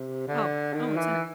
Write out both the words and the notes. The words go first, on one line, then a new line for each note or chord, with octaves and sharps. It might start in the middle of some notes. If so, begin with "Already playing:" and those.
Oh, oh, it's an
Already playing: C3
D3
D#3
E3